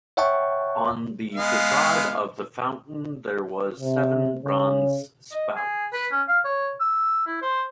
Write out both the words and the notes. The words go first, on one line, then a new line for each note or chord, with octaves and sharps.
On the facade of the fountain there were seven bronze spouts.
C#5 E5 F#5 G5 A5 C#6
G#3 B3 F5
C3
C#3
D#5
G#4
B4
C#4
F5
C#5
E6
E4
C5